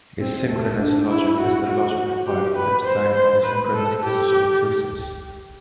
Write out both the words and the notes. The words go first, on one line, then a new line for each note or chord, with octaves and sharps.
Asynchronous logic is the logic required for the design of asynchronous digital systems.
C4
A3
D4
E4
F#4
F#4
G4
B4
C5
C5
B4
A4
G4